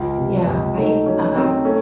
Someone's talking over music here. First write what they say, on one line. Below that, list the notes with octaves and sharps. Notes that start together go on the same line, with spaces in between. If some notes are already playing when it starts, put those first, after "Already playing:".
Yeah, I, um
Already playing: C#2 F4
C3
C#2
A3 D#4
F#3 C#4
F#3 C4
A3 C#4